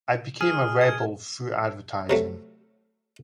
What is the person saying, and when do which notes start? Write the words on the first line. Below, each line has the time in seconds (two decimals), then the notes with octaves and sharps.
I became a rebel through advertising.
0.41 G#4 F6
0.81 G#6
2.10 C3 F#3 A3